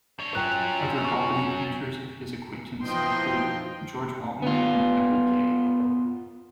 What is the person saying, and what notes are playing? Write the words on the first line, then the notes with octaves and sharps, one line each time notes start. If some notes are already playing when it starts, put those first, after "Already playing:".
Other Albany painters of his acquaintance included George Boughton, and Edward Gay.
D4 C#5
F#3 C#4 F4 G5 F#6
C#6
G#5
E3 F3 D#4 D#5 G5 C6
B3 F4